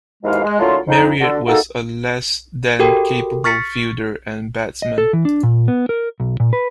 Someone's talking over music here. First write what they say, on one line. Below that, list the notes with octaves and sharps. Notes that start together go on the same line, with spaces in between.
Marriott was a less than capable fielder and batsman.
D#2 G#2 B2 E3 G#3 F5
G#3
D3 F#3 A3 A#3 E4 F4
F2 D#4
D3 F#4 A4
A#3 D#4 F#4 G#4 A4
F#4 G4 A4 A#4 G5
C#6 F6 A6 B6 C#7
D#5
A4
E3
D4
A#2
B3
A#4
B1
A#2
B4